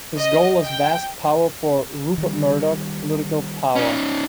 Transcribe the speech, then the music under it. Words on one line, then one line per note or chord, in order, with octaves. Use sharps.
His goal is vast power for Rupert Murdoch, political power.
D#5
G5
D#3 G3
C#4 D#4